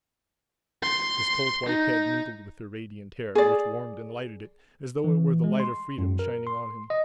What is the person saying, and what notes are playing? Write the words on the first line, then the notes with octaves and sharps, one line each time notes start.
His cold white head mingled with her radiant hair, which warmed and lighted it as though it were the light of Freedom shining on him.
C6
D#4
G#4 D5
E3
G#3
C6
F#2
A#4
C6
D#5